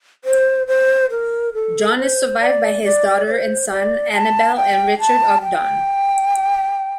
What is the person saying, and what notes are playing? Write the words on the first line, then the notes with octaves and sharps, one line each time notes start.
John is survived by his daughter and son, Annabel and Richard Ogdon.
C5
C5
A#4
A4
C5
D5
D5
D5
C5
D5
A5
G5
A5
G5